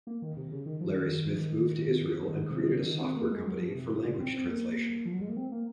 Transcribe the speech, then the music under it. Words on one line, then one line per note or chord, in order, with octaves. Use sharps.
Larry Smith moved to Israel and created a software company for language translation.
A#3
D#3
C3
C#3
D#3
F3
D#3
F3
D#3
D#3
C3
D#3
C#3
D#3
C4
A#3
G#3
F#3
F3
C3
C3
C#3
C4
C4
A#3
F3
F#3
G#3
A#3
C4
A#3